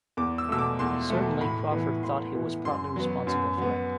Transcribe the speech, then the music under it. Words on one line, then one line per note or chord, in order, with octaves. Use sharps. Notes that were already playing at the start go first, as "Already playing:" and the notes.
Certainly Crawford thought he was partly responsible for it.
E2 D6
E6
B2 A3 E6
D6
E2 C6
B2 A3
A2 B5
E3 B3
A2 C6
E3 B3
F#2 C6
F#3 B3
F#2
F#3 B3